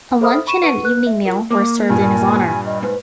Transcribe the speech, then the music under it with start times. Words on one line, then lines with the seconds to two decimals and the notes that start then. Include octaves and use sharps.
A luncheon and evening meal were served in his honor.
0.21 A4 C5 E5 B5 D#6 F6
0.47 B5 C#6 D#7 E7
0.63 B4 F#5 C#6 D#7
0.84 B4 F#6
1.07 E5
1.25 F4 A#4
1.51 A#3 D6
1.90 G2 A#2 G#5
2.66 D#5
2.82 G#2 B4